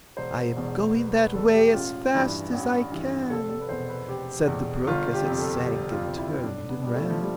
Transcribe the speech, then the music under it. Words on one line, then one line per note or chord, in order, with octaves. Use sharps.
"I am going that way as fast as I can," Said the brook, as it sank and turned and ran.
E1 C5
E2 B2
E1 B4
B4
E2 B2 A4
G4
A1 F4
G2 E3
A1
G2 E3
F1 A4
A4
B4
E2 B2 C5
B4
F1 G4
E2 B2
G1 F4
G4
F2 C3
A4
G1 G4
F4
F2 C3
E4
E4
B1 D4
B3
B2 G3
A3
F3
G3